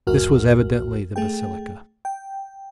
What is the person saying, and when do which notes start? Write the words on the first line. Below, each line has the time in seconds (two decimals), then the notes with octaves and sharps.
This was evidently the basilica.
0.07 A#1 E2 G#2 F#4 A#4 F6
1.16 A3 G#4 G5
2.05 G5